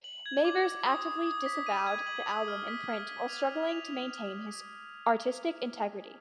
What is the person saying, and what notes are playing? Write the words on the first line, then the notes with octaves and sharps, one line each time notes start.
Mavers actively disavowed the album in print while struggling to maintain his artistic integrity.
F#7
G#6
D6
D6
D#6
D#6
D#6
B6
D#7
G#6
F#7
D#6
F6
B6
F6
B6
F7
F6
F7